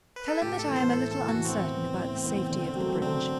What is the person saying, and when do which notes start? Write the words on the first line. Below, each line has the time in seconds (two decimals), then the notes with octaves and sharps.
"Tell him that I am a little uncertain about the safety of the bridge."
0.16 B4
0.28 A4
0.41 A2 G4
0.59 A4
0.67 E3 B3
0.76 C5
0.93 A2 A4
1.11 A4
1.20 E3 B3
1.28 F#4
1.45 A2 C4
1.72 E3 B3
1.98 A2
2.24 E3 B3
2.50 D3
2.76 F#3 A3
3.01 D3 C4